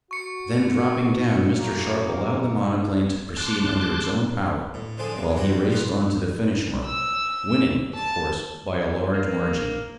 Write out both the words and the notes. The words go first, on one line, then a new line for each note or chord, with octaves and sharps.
Then, dropping down, Mr. Sharp allowed the monoplane to proceed under its own power, while he raced on to the finish mark, winning, of course, by a large margin.
F#4 C#6 C#7
F#2 A#3
A5 C6 D6 F#6
A2
D3 F3 D4 G#4
F#2 C3 A#3
G3 E4 F#4
F3 F4 B4
E6
A5
A#3